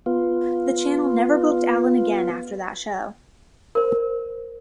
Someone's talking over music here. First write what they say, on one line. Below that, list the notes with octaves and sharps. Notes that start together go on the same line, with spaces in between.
The Channel never booked Allin again after that show.
B3 F4
A#4 C5